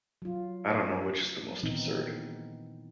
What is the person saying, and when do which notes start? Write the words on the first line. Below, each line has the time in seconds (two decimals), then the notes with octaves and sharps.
I don't know which is the most absurd.
0.22 F#3 F4
1.63 A#2 D#3 E3 B3 C4 D#4